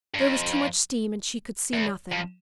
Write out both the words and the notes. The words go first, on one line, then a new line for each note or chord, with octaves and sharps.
There was too much steam and she could see nothing.
G2
F2
E2
F2